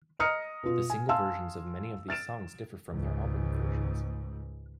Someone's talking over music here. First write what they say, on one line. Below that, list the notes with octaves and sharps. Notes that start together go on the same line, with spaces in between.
The single versions of many of these songs differ from their album versions.
D#5 A#5 D#6 F6 A#6 C#7
B2 F4
G#5
F5 G#5 A5 C6 E6
F6 A6 D7 E7
C#2 G#2